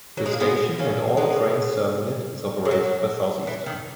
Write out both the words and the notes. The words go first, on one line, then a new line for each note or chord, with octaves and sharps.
The station, and all trains serving it, is operated by Southeastern.
F#3
G#3
A#3
G#3 B3
A#3 C#4
G#3 B3
G#3
F#3
E3
D#3